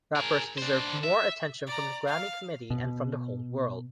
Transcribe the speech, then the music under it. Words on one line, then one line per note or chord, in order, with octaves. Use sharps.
Rappers deserve more attention from the Grammy committee and from the whole world.
G#4 A#4
D4 C5
E5
D5 A#5
F5
B2